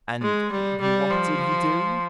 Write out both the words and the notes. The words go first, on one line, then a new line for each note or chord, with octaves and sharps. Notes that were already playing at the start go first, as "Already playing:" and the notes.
"And what did he do?"
G#3
G3
G3
F3